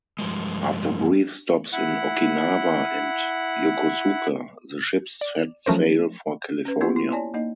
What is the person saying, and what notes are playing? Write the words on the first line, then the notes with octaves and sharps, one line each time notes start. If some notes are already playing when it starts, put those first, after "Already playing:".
After brief stops in Okinawa and Yokosuka the ships set sail for California.
G2 C#3 F3 G#3
E4 F#5
D5
F3 F#3 A3 C#4 A#4 C5
C#4 B4
A#3 B3 E4 F4 G4 G#4
E4
C#5 D5 G#5 A5 C6
A#3 D#4 D#5